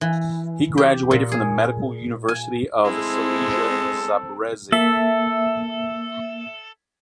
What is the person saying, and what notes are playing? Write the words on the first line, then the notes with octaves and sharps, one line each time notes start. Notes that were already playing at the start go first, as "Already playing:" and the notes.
He graduated from the Medical University of Silesia in Zabrze.
E3
G4
A#2
G#4
G#5
G#3 C4 E4 A4 C5
A#3 A4 E5